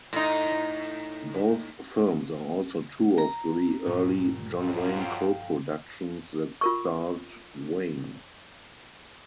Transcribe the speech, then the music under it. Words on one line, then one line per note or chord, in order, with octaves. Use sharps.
Both films are also two of the early John Wayne co-productions that starred Wayne.
A2 D#4
A#5
A#1 G2
F2 F#3 F4
A4 F5 G5
F4 A#4 C#6